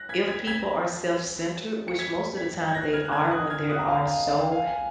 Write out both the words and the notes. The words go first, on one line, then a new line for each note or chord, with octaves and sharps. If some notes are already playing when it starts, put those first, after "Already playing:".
if people are self-centered, which most of the time they are when there are so
Already playing: F#6 A#6
G#6 B6
G#6 B6
G#6 B6
C#7
G#6 B6
G#6 B6
G#6
F#6 A#6
F6 G#6
F#6
F6 G#6
G#6
D#6 F#6
F6 G#6
D#6 F#6
A#5
F5 G#5
F5 G#5
D#5
F5
F5 G#5
G#5